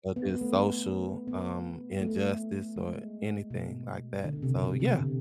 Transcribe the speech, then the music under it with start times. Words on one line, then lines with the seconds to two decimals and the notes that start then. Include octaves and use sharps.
or the social, um, injustice or anything like that. So, yeah,
0.16 B3
0.29 B3
0.41 A3
0.53 B3
1.28 B3
2.01 A3
2.76 G#3
3.51 B2
4.25 D3
4.42 C3
4.61 B2
4.80 C3
4.99 D3